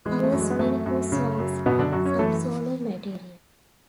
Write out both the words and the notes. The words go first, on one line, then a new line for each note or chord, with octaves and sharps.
Covers many Who songs and some solo material.
E3 G#3
A3
F#2
G#3
B3
F#2 A3
F#2
C#3
F#2
F#2 B2 B3
D3 D4
F#2 F#3 F#4
C#4 C#5
E3 A3 A4